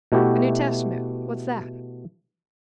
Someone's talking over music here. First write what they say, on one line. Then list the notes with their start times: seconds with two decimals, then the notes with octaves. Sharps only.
"A New Testament; what's that?"
0.12 B2 A3 E4 F#4 G4